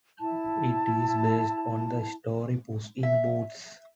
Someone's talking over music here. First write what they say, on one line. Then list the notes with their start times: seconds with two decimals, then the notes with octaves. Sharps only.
It is based on the story Puss in Boots.
0.20 E4 A5
3.03 E5